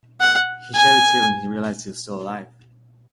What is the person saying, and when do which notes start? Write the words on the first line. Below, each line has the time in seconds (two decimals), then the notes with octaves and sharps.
He shed a tear when he realized he was still alive.
0.20 F#5
0.75 G#5